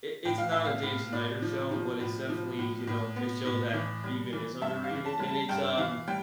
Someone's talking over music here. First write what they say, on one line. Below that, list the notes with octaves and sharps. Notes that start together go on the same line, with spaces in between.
i it's not a Dan Snyder show, but it's definitely, you know, a show that even is underrated, and it's um
A2 G5
F5
A2 E5
F5
A2
A2 D5
F3
F3
A2
F3
A2
A2
B3
A2
E3
G3
E3
G2 E5
F5
E3
A5
G3
A5
G2 G5
E3 F5
G3 G5